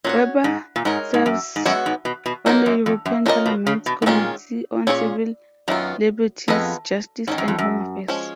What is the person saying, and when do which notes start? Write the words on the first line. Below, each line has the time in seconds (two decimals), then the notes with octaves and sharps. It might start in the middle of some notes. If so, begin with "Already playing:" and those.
Weber serves on the European Parliament's Committee on Civil Liberties, Justice and Home Affairs.
0.04 A#2 C#4 F#4 C#5
0.44 G#2
0.76 A#2
0.85 G#2 G#3 D#4 A#4 C#5
1.14 G#2
1.26 F#2
1.56 G#2
1.66 F#2 G#3 B3 F#4 C#5
1.86 G#2
2.05 B2
2.26 B2
2.46 A#2 F#3 A#3 D#4 F#4 A#4
2.66 F#2
2.86 F2
3.06 F#2
3.26 A#2 C#4 F4 A#4 D#5
3.46 B2
3.67 C#3
3.86 B2
4.02 G#2
4.06 A#2 D#3 G#3 C#4 F4
4.87 A#2 C#4 F4 G#4 C#5
5.68 F#2 D#3 F#3 B3 F4
6.48 F2 B3 F4 G#4 B4 D#5
7.27 G#2 D#3 F#3 C#4
7.38 F#2
7.48 F2
7.58 F#2
8.08 F3 G#3 C#4